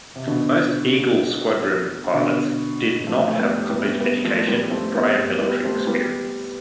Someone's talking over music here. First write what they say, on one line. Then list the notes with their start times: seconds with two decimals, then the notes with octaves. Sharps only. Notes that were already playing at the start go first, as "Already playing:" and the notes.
Most Eagle Squadron pilots did not have a college education or prior military experience.
0.16 C3
0.27 B2 D3
2.14 B2 D3
3.07 F3 A3
3.28 A3
3.38 G3 B3
3.70 G3 B3
4.00 G3 B3
4.24 F3 A3
4.47 G3 B3
4.70 A3 C4
4.94 G3 B3
5.41 G3 B3
5.65 A3 C4
5.87 G3 B3